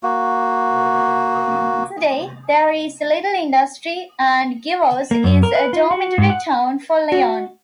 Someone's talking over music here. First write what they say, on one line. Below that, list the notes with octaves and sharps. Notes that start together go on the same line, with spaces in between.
Today there is little industry and Givors is a dormitory town for Lyon.
A#3 F#4
A#3
F#2
A#4
B4
F4
F#4
G#2
F#5
F#4